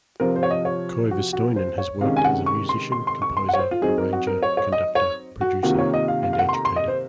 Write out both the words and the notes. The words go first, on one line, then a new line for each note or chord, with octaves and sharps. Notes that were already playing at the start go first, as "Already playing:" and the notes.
Koivistoinen has worked as a musician, composer, arranger, conductor, producer and educator.
C3 F3 C4 F4 A#4
C5
C#5
D#5
C#5
F#4
F#4
C5
C#5
C3 D#3 G#3 C#4 F5
G#5
F#5
C#6
C6
C6
C6
C#6
C6
F#5
C#5
C5
F4
F#3 C4 D#4 G#4
A#4
F#4
A#4
C#5
C#5
D#5
C#5
F#4
C3 D#3 A#3 F4 F#4
C#5
D#5
F5
F5
F5
F#5
C6
A#5
C6
D#5
C5